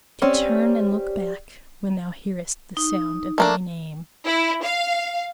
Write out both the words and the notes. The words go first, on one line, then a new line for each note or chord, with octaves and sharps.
'To turn and look back when thou hearest The sound of my name.'
G3 C4 C#4 G4
D#4
A3 A#3 D4
E4
F5